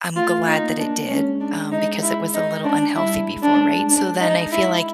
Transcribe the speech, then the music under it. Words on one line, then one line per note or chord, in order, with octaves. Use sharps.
I'm glad that it did, um, because it was a little unhealthy before, right? So then I feel like
A3 F4
D#4
A#3
D4
G#3 C#4
D4
D#4
E4
D#4
D4
G3 E4
G#3
D4
G#3
G#3 D4
D#4
E4